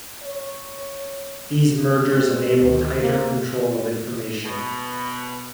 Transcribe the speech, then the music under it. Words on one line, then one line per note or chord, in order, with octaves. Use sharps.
These mergers enable tighter control of information.
C#5
A3 C4
D2 D#3
C3 A#3 C4
B2